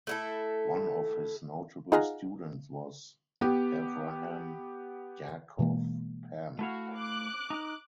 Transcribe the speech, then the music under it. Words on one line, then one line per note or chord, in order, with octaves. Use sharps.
One of his notable students was Avraham Yaakov Pam.
A3 E4 A4
D#4 F4 G#4 F5 F#5 A#5
B3 G4
B2 E3 G#3 A#3
A3 E4 F#4 F5
D6 F#6
D#4